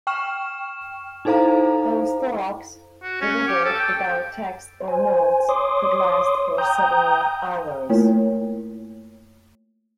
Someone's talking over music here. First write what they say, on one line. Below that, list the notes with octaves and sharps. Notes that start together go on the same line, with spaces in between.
Those talks, delivered without text or notes, could last for several hours.
G5 C#6 F6 E7
D#4 E4 A4 C5 F5 A#5
F#4
C#4
G4
A4
G5
C5 G#5
C#5 C6 D6 D#6
G5 A#5 D#6 G6
A3 A#3 E4 F4 A#4 C#5